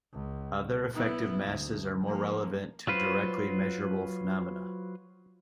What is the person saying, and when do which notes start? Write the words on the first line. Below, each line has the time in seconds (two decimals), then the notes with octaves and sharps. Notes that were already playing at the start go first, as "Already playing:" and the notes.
Other effective masses are more relevant to directly measurable phenomena.
0.13 C#2
0.93 B3 E4
1.44 D2
2.04 F3 A#3
2.87 F#3 F4 B4 C5